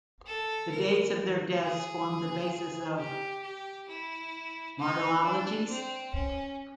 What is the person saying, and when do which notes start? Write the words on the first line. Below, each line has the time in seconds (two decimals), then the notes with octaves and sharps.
The dates of their deaths formed the basis of martyrologies.
0.26 A4
0.72 A#4
1.62 G#4
2.98 G4
3.43 G4
3.88 E4
4.79 D#4
5.24 D4
5.69 C4
6.14 C#4